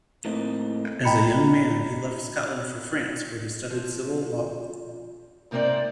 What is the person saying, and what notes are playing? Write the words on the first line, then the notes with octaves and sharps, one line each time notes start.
As a young man, he left Scotland for France, where he studied civil law.
A2 A#3 C4 D#4
D#5 G5 A#5 B5 B6 C#7
F3
G#2 C3 A#3 C4 D#4 D5